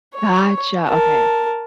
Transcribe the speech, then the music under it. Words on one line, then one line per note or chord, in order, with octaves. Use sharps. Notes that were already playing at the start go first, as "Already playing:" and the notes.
Gotcha. Okay.
C#5
A#4 A5